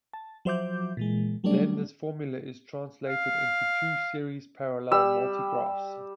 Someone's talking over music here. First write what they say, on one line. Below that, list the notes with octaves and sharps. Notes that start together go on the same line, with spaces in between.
Then this formula is translated into two series-parallel multigraphs.
A5
F3 F#3 C5 E5 D6 G6
A#2 E3 G#3
F#3 G3 A3 C#4 D4 D5
F5
G3 E6